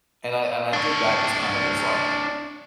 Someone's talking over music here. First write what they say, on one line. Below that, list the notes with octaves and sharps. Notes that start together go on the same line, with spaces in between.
and I and I did that just kinda 'cause, like,
D4 C#5